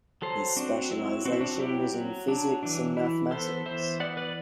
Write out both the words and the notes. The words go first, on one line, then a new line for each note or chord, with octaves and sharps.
His specialization was in physics and mathematics.
F#3 A4 C5
C4 D4 F#4
F#3 E4
C4 F#4
E4
D4 F#4
F#3 E4 G4
F#3
F#3 D4
E3 D4
E3 E4
B3 A4 C5
E3 C5 E5
B3 D5 F#5
B4 D5